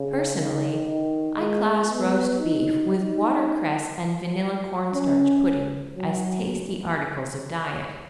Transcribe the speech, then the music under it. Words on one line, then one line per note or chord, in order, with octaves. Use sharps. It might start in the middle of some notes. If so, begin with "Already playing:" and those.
Personally, I class roast beef with watercress and vanilla cornstarch pudding as tasty articles of diet.
Already playing: C#3
D#3
D#3
G#3
B3
D#4
D#4
C#4
F#3